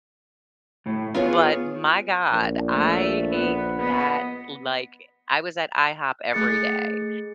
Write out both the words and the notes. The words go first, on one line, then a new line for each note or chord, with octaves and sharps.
but my god, I ate that, like I was at IHOP every day,
A2
B3 F4 G#4 C#5
A#1
A3
B3
B3 D#5
A3 G#4 A6 C#7